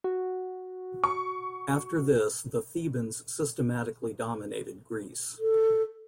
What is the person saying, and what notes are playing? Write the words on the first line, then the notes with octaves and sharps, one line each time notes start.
After this, the Thebans systematically dominated Greece.
F#4
C#6
A4